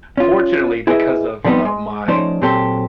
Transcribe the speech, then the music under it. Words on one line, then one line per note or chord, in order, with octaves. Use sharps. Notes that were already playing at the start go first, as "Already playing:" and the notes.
fortunately because of of my,
C#4 F4
E4 G#4 B4 C#5 D#5 E5
D3 F3 G3 B3 C4 D#4
G#3
F3 A3 C#4 D#4 C5 D5
A#2 F#3 C4 G4 A4